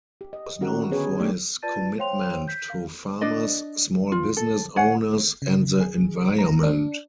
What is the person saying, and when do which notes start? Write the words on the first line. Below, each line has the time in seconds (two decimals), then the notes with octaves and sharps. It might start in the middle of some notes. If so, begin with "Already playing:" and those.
He was known for his commitment to farmers, small business owners, and the environment.
0.21 G4
0.33 D#5
0.61 D#3 C#4 F#4 G4 A#4 F#5
0.91 D3 B3 C#4 G#4 B4 C#5
1.19 A3 B3 D#4 G4 D5
1.62 F4 B4 D5 A5 A6 D#7
1.98 C5 C#5 F5 G5 C6 F7
2.48 G6 B6
2.70 F5
3.21 D4 D5 D#5
4.12 F4
4.37 A4
4.76 C#5 F5 F#5 G#5
5.42 C#3
5.80 G#4
6.39 A#5
6.63 D4